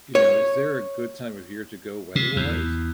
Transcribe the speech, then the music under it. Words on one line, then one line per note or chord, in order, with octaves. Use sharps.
you know, is there a good time of year to go weather wise?
C#5
C3
E2